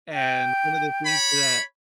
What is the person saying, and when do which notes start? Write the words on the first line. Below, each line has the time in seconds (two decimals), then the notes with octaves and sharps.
and, one of the things that
0.14 G5
1.05 C#5 B5